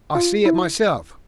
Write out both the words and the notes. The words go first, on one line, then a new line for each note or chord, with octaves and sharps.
"I see it myself."
F4
E4